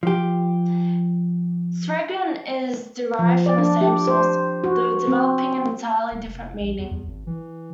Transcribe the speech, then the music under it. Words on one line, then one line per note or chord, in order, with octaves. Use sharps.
"Sergeant" is derived from the same source, though developing an entirely different meaning.
F3 G4
F3
D5
D4
G4
C5
F#4
C4
D1
F1
A#1
E2
E2
G#1
E3